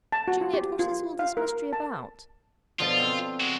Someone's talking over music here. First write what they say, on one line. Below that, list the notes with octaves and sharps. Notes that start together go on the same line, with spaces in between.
Juliet, what is all this mystery about?
A5
F#4
F4
G4
F4
F5
A#4
A5
B2 D3 F3 F4
C4
G#3 F#4